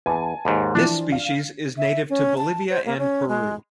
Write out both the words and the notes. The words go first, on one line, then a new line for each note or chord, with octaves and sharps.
This species is native to Bolivia and Peru.
E2 G#5 A5
D#2 G#2
E3 F3 D4
F5
E5
C#4
A5
C5
A#3
C#4
G#3